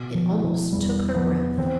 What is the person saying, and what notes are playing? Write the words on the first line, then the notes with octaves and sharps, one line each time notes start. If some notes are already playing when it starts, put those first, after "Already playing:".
It almost took her breath.
Already playing: B2
F3
E4
F3
E2 G3
F3 B3
E3 C4